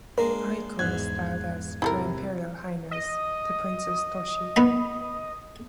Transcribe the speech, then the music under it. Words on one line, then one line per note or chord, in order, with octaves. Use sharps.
Aiko is styled as "Her Imperial Highness" The Princess Toshi.
G#3 A#3 D4 A#4
E2 G#2 F#6 G#6
C3 E4 A4 A#4
D#5
B3 D#4 B5